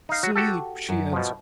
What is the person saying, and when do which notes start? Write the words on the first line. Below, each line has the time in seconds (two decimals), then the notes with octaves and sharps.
"Sleep!" she answered.
0.09 D#4 F5
0.23 F#3 F#4
0.36 F#4 G4 A4
0.89 F#2
1.12 B2 F3